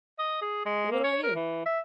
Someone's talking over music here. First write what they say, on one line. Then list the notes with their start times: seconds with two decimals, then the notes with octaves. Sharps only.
but what about you?
0.19 D#5
0.42 G#4
0.66 G#3
0.92 A#3
1.04 C#5
1.23 A#4
1.36 E3
1.66 E5